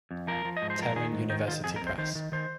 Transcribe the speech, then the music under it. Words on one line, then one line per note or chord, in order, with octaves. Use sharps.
Tehran University Press.
F2
F3 A#4
F3
D#5
G#2
C5
F3 A#4
D#3 G#4
G#2
D#3 D#4
D#3 F4
F2 G#4
A#4
F2
C5
D#3 C5
D#3
D#3 C5